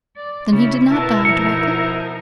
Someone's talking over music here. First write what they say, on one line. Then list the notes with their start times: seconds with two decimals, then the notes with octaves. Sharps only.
'Then he did not die directly?'
0.17 D5
0.52 C#3 E4
0.91 B2 E4 A#4 B4 A5
1.25 F3 D#4 C#7